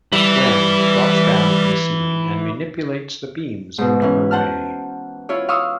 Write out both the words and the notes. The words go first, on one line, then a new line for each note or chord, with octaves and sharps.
Gwen drops down from the ceiling and manipulates the beams out of her way.
E3 G3
G#2 B2
E3 C#4
C5 F#5 A5 F6
E4 F4 C#5
F5 C6 C#6 D#6 E6